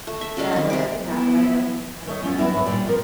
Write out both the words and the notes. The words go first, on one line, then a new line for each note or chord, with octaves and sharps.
Yeah. Well, that could happen. I I can understand that.
A3
E5
C#3 G3 G#3 F5
D#3 C4
C3 G#4 D6
B3 E4
A3 C#5 D#5
E2 F3 C#4 F4
F#3 B3 D4 E4 F#4
F#2 C4 B4 C#5
A#2 G3 D5
F3 C4 A#4